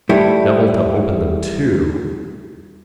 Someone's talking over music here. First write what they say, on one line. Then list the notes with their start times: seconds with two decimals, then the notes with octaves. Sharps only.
Devil to open them too.
0.09 G3 A3 E4